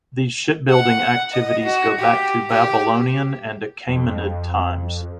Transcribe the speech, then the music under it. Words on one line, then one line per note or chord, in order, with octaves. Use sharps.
These shipbuilding activities go back to Babylonian and Achaemenid times.
F#5
D#5
F#4
G4
G4
F2